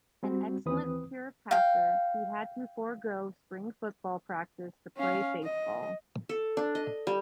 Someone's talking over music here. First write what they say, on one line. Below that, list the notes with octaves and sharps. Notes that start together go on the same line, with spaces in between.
An excellent pure passer, he had to forego spring football practice to play baseball.
G3 C4 F#4
D#2 E3 C4 B4 D#6
F5 G5
C#4 F5
D#5
A4
D4
D#5
G3